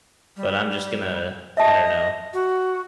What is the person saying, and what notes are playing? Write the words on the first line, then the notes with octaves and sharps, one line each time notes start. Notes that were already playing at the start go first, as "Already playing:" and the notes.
but I'm just gonna, I don't know
G3
D#5 E5 A5
F#4